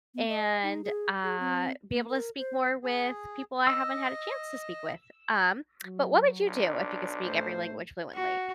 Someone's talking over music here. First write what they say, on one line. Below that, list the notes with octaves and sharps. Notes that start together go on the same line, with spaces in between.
and, uh, be able to speak more with people I haven't had a chance to speak with, um, but what would you do if you could speak every language fluently?
B3
D#5
D#4
G#4
G#4
C4
A#3
A#4
C5
G#4
D#5 E6
F#3
B1 D4
A2 A3 C5
F#4